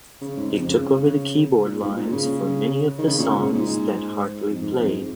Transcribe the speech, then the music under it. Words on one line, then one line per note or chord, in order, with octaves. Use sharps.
He took over keyboard lines for many of the songs that Hartley played.
C#3
G#2
F2
C#3
A#2
G#2
A#2
C#3
D#3
C#3
A#2
C#3
A#2
G#2
F2
G#2
F2
G#2